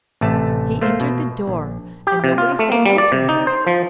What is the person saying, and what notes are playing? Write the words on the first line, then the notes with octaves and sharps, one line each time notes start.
He entered the door, and nobody said no to him.
A1 C3 A3 A5
A3 A#3 C5
B2
A#1
G4
C3
F4
A3
A#3
G3
D5
C3
D#4
C5
F3